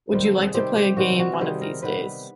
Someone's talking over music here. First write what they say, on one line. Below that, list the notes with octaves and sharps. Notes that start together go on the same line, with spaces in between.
Would you like to play a game one of these days?
C3 D#3 G3 C4
A4
G#4
C3 D#3 G3 C4 G4
G4
C3 D#3 G3 C4 F#4
F#4
C3 D#3 G3 C4 G#4
A#4
C3 D#3 G3 B3 B4